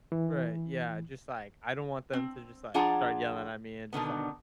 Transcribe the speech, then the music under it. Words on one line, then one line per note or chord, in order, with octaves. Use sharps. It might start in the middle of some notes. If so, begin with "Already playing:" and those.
Right, yeah, just, like, I don't want them to just, like, start yelling at me and just, like
E3
C4
F3 D4 F4 G#4 F#5 A#5
B2 D3 D#3 B3